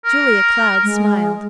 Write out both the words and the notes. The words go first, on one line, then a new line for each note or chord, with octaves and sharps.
Julia Cloud smiled.
A#4
G#3